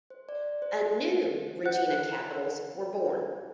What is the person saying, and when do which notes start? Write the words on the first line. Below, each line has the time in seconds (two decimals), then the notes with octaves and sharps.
A "new" Regina Capitals were born.
0.10 C5
0.29 D5
0.62 C5
1.66 C5 F#5 F#6